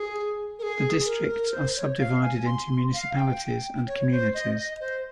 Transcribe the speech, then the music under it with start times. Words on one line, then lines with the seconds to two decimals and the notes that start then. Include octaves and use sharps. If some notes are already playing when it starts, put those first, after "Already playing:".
The districts are subdivided into municipalities and communities.
Already playing: G#4
0.59 A#4
0.63 G#4
1.05 A#4
1.29 A#4
1.52 C5
1.76 C#5
1.99 F5
2.22 G#5
2.46 C6
2.94 F5
3.16 G5
3.87 C#5
4.11 C5
4.34 D#5
4.57 D#5
4.80 C5